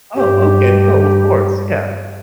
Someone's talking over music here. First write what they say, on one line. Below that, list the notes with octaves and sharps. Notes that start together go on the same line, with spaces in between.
Oh, okay. Well, of course, yeah.
G2 G4